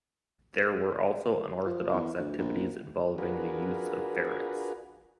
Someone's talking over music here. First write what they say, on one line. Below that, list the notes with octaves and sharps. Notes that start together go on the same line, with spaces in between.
There were also unorthodox activities involving the use of ferrets.
F3
E2
D2
A#1
D4 F4 F#4 G#4 A#4 B4